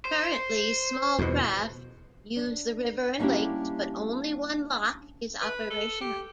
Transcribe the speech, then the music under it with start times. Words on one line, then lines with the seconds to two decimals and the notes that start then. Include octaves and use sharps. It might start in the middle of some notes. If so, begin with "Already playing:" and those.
Currently small craft use the river and lakes, but only one lock is operational.
0.05 C5
1.19 E2 B2
2.37 D4
3.19 G3 A#3 C#4 D4 E4 G4
5.42 B4
5.70 A4
6.01 G4